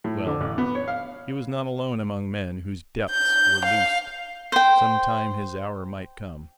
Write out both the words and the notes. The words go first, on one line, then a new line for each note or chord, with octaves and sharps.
Well, he was not alone among men whose depths were loosed. Some time his hour might come.
A2
D3
A1
B3
C#5
F5
G6
F5
C5 G5